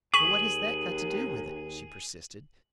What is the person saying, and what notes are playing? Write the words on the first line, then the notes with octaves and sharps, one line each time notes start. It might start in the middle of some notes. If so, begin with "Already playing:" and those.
"But what has that got to do with it?" she persisted.
D#2 G#4 C#6 B6 D#7 F#7